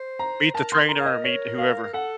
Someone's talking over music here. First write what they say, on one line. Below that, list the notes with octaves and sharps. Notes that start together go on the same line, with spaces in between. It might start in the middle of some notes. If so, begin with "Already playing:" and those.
Meet the trainer or meet whoever.
Already playing: C5
A#5
A#4 A5
C6
A#5
F5
D#5
C#5
F5
A#4
A4 F#5